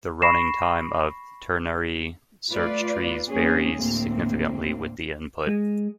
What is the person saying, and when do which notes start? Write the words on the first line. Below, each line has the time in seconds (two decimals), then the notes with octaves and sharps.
The running time of ternary search trees varies significantly with the input.
0.22 B5 C#6 A#6 C7 E7
2.51 A3 F4 B4 D5
3.29 F#3 A#3 C4 C#4 G#4
3.73 D2 A2 A#3 C4
5.47 G#3